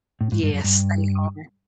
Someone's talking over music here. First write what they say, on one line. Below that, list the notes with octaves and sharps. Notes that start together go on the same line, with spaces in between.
Yes, they are.
A2
G#2
G2
F#2
G2